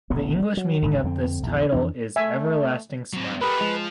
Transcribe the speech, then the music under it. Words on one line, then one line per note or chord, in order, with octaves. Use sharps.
The English meaning of this title is "Everlasting Smile".
D#1 A1 A2 B3
F#3
D#1 G#1 G#2
F2 D3 A#3 C4
A#1 E2
F2 E3 D4
A3 E5 G#5
F#3 C4
A3 G4 A#4 B4 B5 D#6 F6
F3 G#3 F7